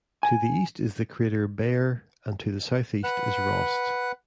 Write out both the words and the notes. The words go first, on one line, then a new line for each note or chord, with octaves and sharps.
To the east is the crater Bayer and to the southeast is Rost.
G#5
B4 F#5 F#6